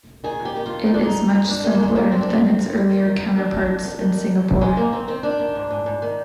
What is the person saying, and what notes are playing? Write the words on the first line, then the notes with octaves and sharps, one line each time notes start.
It is much simpler than its earlier counterparts in Singapore.
D#3 G#4
F2
G4
D#3
F4
F2
D#3 D#4
D4
F2 D#4
F2
F2
G2 D4
D#3 G3
A#3
D#3 G#3
D#3 A#3
G2 C4
D4
G2 C4
D#3
G2
F2
D#3
D#3
D#3
D#3 D4
F2
F2
D#3
D#3
D#3
D#3
G#2
G#2 G#3
G#2 A#3
D#3 C4
D#3 C4
D#3 D4
D#3
G#2
G#2
G#2
D#3